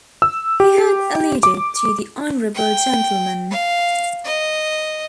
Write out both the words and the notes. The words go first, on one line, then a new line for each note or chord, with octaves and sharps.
He had alluded to the honourable gentleman.
E6
G4
D6
G5
F5
D#5